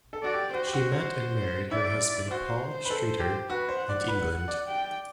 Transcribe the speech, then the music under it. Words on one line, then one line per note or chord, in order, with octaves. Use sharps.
She met and married her husband Paul Streeter in England.
A4
F#4 D5
G4
F#4 C5
G4
F#4
F#4
E4 D5
F#4 C5
B4
A4
G4
F#4 B4
C5
F#5
D5
B4
D5
G5